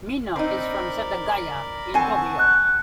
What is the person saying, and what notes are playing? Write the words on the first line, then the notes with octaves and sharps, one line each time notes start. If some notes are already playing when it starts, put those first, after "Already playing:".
Mino is from Setagaya in Tokyo.
C4 D#4 A#4 D5 B5
C4 F#5 G#5 A5 C#6
F#6